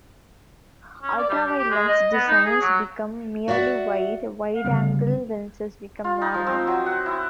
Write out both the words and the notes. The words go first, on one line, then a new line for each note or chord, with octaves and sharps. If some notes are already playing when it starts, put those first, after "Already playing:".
Ultra-wide lens designs become merely wide; wide-angle lenses become 'normal'.
C#4
D5
G3
G4
G4
G#3
D#5
B3
D#4
G#4
F#3
F#4 D5 E5 F#5
G1 C#3 G3 B3
F4
D#4
F3
C4
F#3
F#5
E4